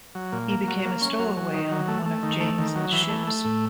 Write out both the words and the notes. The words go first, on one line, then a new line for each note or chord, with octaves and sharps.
He became a stowaway on one of James's ships.
F#3
A#2
A#3
F#3
A#3
C#4
F#3
F#3
D#3
F#3
A3
A3
D#3
A3
D#3
F#3
E3
A3
A3
A2